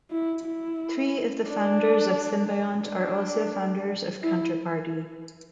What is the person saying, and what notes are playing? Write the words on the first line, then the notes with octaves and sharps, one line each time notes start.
Three of the founders of Symbiont are also founders of Counterparty.
E4
E4
D4
D4
E4